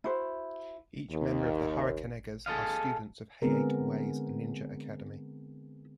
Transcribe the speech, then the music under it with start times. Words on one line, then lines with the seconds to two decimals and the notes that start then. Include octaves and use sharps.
Each member of the Hurricanegers are students of Hayate Way's Ninja Academy.
0.04 E4 F#4 C5 E5
1.11 D#2
2.46 G#4 A4 B4 D#5 F5
3.42 D3 G#3 B3 C4 G#4 A#4